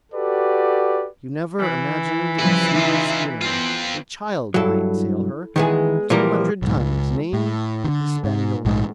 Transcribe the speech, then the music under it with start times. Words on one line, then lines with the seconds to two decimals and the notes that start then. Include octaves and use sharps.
You never imagined a sweeter schooner--a child might sail her--two hundred tons; name, HISPANIOLA.
0.12 F#4 G4 A4 B4 D5
1.60 E3
2.39 C#3 F3 G3 E4 B4
2.75 C#3 D#4 F4 E5
3.42 B3 C4 F4
4.54 G2 F#3 E4 A4
5.56 D#3 E3 G#3 B3 G#4
6.10 A#2 E3 F3 G3 A#3 A#4
6.62 B1 G#2
6.76 C#2
7.33 A2
7.84 D3 D#3
8.24 G#2
8.65 A#1 G#2